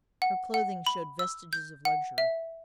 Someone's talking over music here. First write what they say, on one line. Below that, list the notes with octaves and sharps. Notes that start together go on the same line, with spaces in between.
Her clothing showed vestiges of luxury.
F#5
F#5
B5
E6
G6
F#5
E5